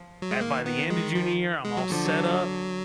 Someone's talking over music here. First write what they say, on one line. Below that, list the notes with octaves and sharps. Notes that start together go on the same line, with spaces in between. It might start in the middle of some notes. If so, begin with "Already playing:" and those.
At by the end of junior year, I'm all set up.
Already playing: F3
F#3
G#3
D#3 A#3
B3
G#3
F3
G#3
F#3
D3 F3
F#3